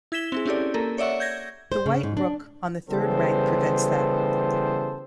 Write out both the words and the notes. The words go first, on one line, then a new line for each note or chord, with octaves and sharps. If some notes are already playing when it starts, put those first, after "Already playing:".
The white rook on the third rank prevents that.
E4 G#6 B6 E7 G7
C4 E4 G#4
C4 C#4 E4 G4 A4 D5
A#3 A4 A#4
C#5 D5 E5 F#5 C#6
G6 G#6 A#6
C5
C#3
G#2
D4
C#3 E3 G3 B3 A4 C5